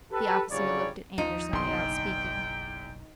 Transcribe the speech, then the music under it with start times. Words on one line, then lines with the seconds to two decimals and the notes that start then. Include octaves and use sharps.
The officer looked at Andersen without speaking.
0.11 G4 A4 B4
0.50 G1 C#3 F#3 G3 C#5 D5
1.18 D#2 F3 D#4
1.53 F#1 B1 E2 D3 G5 C6